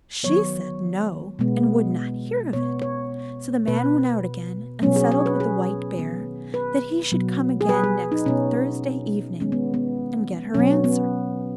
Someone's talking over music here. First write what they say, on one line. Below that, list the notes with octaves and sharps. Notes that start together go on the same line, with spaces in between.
She said no, and would not hear of it; so the man went out again, and settled with the White Bear that he should come again next Thursday evening, and get her answer.
D#3 F#3 B3 C#5
B2 G#3 B3
B2 B3 C#5
C#5
B2 B3 B4
B2 F#3 B3 C#4
G#4
C#5
B4
G#4
D#3 B3
B4
B2 F#3 B3
G#4
B4
G#4
D#4
B2 B3 C#4
D#3 G#3 B3 C#4
B3
B3
B2 F#3 B3 C#4
B3